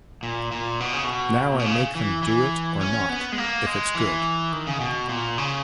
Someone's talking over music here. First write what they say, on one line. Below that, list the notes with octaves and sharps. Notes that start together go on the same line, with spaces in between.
Now I make them do it or not, if it's good.
A#2
A#2
B2
C#3
B2
A#2
B2
C#3
E3
E3
C#4
B3
G#3
A#3
G#3
E3
D#3
C#3
B2
A#2
C#3